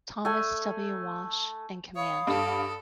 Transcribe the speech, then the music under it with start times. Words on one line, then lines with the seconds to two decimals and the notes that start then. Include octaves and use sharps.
Thomas W. Walsh in command.
0.25 A3 G#5
1.96 C#5 F5 B5 D#6
2.27 G2 A4